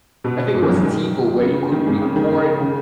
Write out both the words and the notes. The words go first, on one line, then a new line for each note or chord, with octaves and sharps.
I think it was TiVo where you could record
B2 B3
G#2 G#3
D#3
F#2 F#3
D#3
C#3
D#3
G#2 G#3
C#3
D#3
C#3
C#3